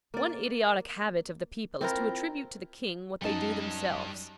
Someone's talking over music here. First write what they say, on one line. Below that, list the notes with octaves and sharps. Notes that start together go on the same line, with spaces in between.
One idiotic habit of the people is to attribute to the king what they do themselves.
A#3 D5
C4 E4 F4 A#4
F#2 G3 D#4 A5